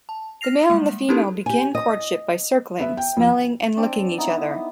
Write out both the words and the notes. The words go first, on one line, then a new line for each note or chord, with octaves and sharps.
The male and the female begin courtship by circling, smelling and licking each other.
A5
F6 A#6 C7 F7
G3 G#3 A#3
C#4 D#4 E4 G4 A4 A#4
G4 G#5
D#5
B3 E5
G5
F2
C4 D4 D6
B3 D#4 E4